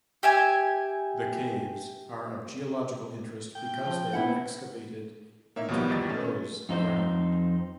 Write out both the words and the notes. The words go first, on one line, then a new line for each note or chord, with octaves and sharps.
The Caves are of geological interest because they are excavated into loess ground.
G4 E5 G#5
G5
F3
B3 E4 F#5
A#3 D#4 C#5 E5
D#2 B2 D#3 F3 G3 B3
G1 E2 G3 D#5 A6
A3 C#4
F2 D#4 C5